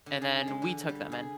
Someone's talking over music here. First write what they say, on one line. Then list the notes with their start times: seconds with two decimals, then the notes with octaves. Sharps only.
and then we took them in,
0.06 D3
0.22 G#4
0.48 G#3
0.62 D3
0.89 G3
1.12 G#4